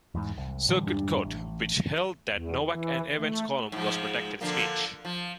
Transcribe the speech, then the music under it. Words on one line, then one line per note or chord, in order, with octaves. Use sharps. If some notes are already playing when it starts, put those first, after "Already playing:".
Circuit Court, which held that Novak and Evans's column was protected speech.
E2 G#2
C2
A2 D3 E3 G3
F2 G#2 G3 D4
A1
E2
E3
A3
G#2 F3
D3 F3 A#3
F3